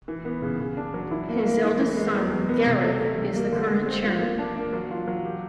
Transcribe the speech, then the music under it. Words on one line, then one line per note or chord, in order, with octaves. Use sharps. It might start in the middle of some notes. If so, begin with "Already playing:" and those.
His eldest son, Gareth, is the current chairman.
E3
B3
C#3
C#3
D4
F#3
E4
A#3
A#3
E3
E3
G#3
E2
G#3
B3
C3
A3
A3
G3
A#3
D3
G#3
C4
F4
A#3
D4
A#3
F#3
F4
F#3
G4